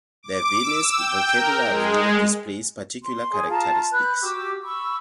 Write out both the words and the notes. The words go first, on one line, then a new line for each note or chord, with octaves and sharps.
The Viennese vocabulary displays particular characteristics.
D6
E6
G5
A#4
G#3
C6
G#4
F4 A5 A#5
B4 B5 F#6 G6
F#4 G4 D6 E6
B5 C#6 E6